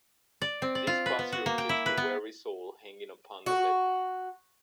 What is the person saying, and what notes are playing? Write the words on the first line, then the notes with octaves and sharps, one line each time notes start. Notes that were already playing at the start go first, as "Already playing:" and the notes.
This posture keeps the weary soul hanging upon the lip.
D5
C4
D5
F4
B4
B3
F#4
A#3
G5
E4
B4
B3
F#4